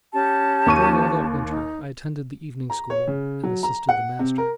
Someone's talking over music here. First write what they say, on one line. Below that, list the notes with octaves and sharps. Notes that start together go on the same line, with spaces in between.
During all that winter I attended the evening school and assisted the master.
C#4 G4 A5
D#2 C#6 D#7
D#4
A#5
C#5
C#3
F#3
A#5
F#5
C3
A#4